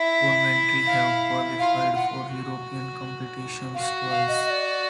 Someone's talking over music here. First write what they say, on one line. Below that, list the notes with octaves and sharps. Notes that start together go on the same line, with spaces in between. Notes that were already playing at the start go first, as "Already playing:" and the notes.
Coventry have qualified for European competitions twice.
Already playing: E4 E5
F5
F4 F5
F5
F4 F#5
F#4
F#4 F5
F5
D#5
D#5
D5